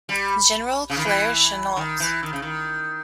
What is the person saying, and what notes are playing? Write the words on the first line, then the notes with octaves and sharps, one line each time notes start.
General Claire Chennault.
G3
C#3
D#3
E3
D#3
E3
D#3
C#3
D#3